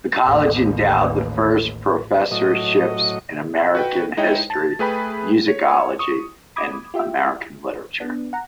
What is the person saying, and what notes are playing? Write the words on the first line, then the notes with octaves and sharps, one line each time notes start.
The College endowed the first professorships in American history, musicology, and American literature.
A1 D#2
A2 F#3 D#5
F#4 B4 G5
G#3 D#4 E4 C#5 D#5 G5
A5 A6
A3 G#4 B4 G5 B5
C#5
C#6 D#6
B5 D6 D#6 G#6
F4 G4 E5 G5
B3 D4
F#5 A#5